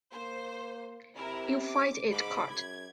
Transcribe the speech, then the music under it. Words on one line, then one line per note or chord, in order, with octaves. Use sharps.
You fight it cut.
A#3 C5
C3 E4 A#4
D6
G#2 B5 D6
F#2 G#6